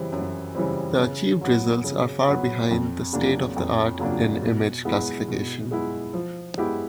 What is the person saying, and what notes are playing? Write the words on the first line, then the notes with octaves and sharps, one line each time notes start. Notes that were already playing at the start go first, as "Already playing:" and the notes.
The achieved results are far behind the state-of-the-art in image classification.
Already playing: F#2 C#3 E3 G3 C4
F#2
C#3 E3 G3 C4
C#3
F#3 B3
C#3
F#3 B3
F2
C#3 F#3 A#3 D4
F2
C#3 F#3 A#3 D4
B2
G#3 B3 E4
B2
G#3 B3 E4
F3
G#3 B3 E4 G4